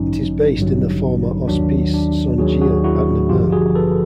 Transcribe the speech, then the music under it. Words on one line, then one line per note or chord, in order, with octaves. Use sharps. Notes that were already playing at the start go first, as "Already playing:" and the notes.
It is based in the former Hospice Saint-Gilles at Namur.
Already playing: A1 G2 D3 F#3 C#4 D#4
A1 G2 D3 F#3
D#2 D#3 F#3 D4
D4
D#2 D#3 F#3 F#4 G#4
F#4 G#4
E4 F#4
A1 G2 D3 F3 F4 G4
F#4 G#4
A4 B4